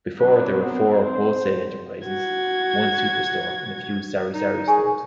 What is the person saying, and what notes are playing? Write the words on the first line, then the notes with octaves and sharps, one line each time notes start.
Before, there were four wholesale enterprises, one superstore and few sari-sari stores.
F#3 C4 D4 B4
B3 C4
C5
F#4 G#6
D#4
G#4 G#5 C#6